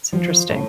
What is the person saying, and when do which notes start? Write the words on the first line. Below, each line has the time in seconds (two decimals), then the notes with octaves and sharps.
it's interesting.
0.13 F3
0.49 A2